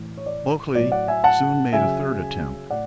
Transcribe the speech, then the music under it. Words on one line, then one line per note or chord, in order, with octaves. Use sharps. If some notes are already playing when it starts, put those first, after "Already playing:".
Bulkeley soon made a third attempt.
Already playing: A2 E3
C#5
D5
A2 F#3 D5
D5 F#5
E5 G#5
F#5 A5
C#3 F#3 E5 G#5
A2 D5 F#5